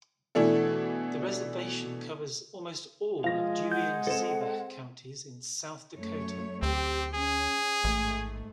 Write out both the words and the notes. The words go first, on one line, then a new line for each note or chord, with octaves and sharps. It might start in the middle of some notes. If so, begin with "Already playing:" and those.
The reservation covers almost all of Dewey and Ziebach counties in South Dakota.
B2 E3 A3 D4 E4 A4
F3 G#3 F5 A#6
F#5 G6
C4 A4 E7
F#2 A3 C#5
D2 C4 G4
C#4 G#4
A1 G#2 A3